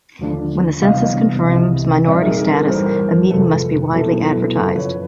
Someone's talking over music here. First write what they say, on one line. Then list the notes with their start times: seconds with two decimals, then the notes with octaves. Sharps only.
When the census confirms minority status, a meeting must be widely advertised.
0.19 D#2 D3 F3 A3 D4
0.82 C3 E3 G3 B3 D4 D#5 F5
1.44 C2 C3 E3
2.06 A#2 G3 C4 D#4 D5 E5
2.21 G#4 A#4
2.37 G#4 A#4
2.53 A4 B4
2.68 G2 E3 G3 A#4 C5
3.30 F2 C3 F3 G#3 A4 B4
3.93 B2 F#3 B3 E4 A4
4.24 A4 B4
4.55 F#2 C#3 F3 A4 B4
4.75 B4 C#5